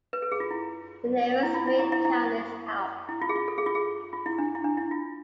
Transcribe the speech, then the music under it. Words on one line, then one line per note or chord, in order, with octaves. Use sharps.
The nearest main town is Alp.
B4
A4
G#4
F4
E4
E4
F4
E4
E4
E4
E4
E4
F4
G#4
F4
A4
G#4
F4
G#4
F4
E4
D4
E4
D4
E4
F4